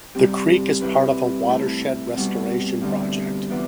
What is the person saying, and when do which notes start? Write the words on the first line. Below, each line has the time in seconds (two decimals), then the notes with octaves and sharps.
The creek is part of a watershed restoration project.
0.15 C3 G3 C4 G4
0.81 C3 G3 C4 E4 B4
1.49 A3 E4 A4 E5
2.15 B2 G3 C4
2.81 D2 D3 G3
3.50 E3 B3 F4 B4 D5